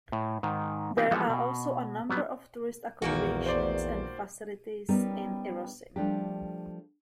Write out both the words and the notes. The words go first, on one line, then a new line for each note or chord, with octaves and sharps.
There are also a number of tourist accommodations and facilities in Irosin.
A2
G#2 D#3
E3 B3 D#4 F4 G4
E3 F3 G3 G#3 B3 A4
B2
F#3 G3 B3
A#1 E2 A#2 D#3 A#3 F#4
C5 D5
G3 B3 C#4 D#4 G4 A#4
F3 G3 A3 D4 F4 G4